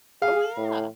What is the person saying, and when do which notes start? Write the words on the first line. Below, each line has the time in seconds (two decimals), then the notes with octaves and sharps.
Oh, yeah.
0.22 G#4 F5
0.57 A2